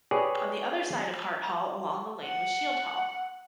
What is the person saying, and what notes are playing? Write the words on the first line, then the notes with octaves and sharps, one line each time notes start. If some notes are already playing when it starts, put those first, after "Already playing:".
On the other side of Hart Hall along the lane was Shield Hall.
G4 G#4 B4 C#5 D5
F#5